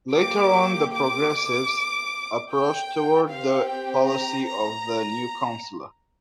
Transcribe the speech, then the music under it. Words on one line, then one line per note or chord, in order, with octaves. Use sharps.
Later on the Progressives approached towards the policy of the new chancellor.
A#3 G4 D6
D6
G5
C4 G4 F5
G5
A#5
A#5